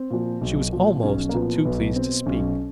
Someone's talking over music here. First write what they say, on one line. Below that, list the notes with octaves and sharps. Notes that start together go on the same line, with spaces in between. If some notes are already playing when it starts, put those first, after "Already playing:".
She was almost too pleased to speak.
Already playing: C4
A#2 F3
B1
A#2 F3
B1 C#4
A#3
A#2 F3 B3
B1 B3
B2 C4
B1 C#4